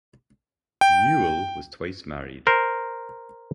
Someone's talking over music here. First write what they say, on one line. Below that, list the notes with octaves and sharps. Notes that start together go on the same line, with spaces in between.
Newell was twice married.
G5
A#4 C5